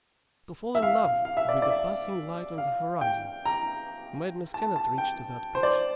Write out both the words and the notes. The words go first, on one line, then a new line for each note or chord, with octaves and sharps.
To fall in love with a passing light on the horizon, madness cannot reach to that pitch.
E5
F5
F5
F5
E5
D5
D5
E5
F5
G5
A#5
A5
A5
G5
C5
D5